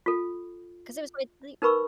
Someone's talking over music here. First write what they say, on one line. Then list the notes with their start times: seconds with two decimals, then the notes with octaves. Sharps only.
'cause it was quite le
0.06 F4 A4
1.62 D#4 A#4 B4 B5 C#6 E6